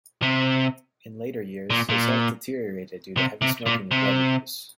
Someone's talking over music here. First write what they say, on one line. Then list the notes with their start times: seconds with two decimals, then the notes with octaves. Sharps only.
In later years, his health deteriorated due to heavy smoking and drug abuse.
0.22 C3
1.70 A#2
1.89 A#2
3.17 C3
3.41 C3
3.66 A#2
3.91 C3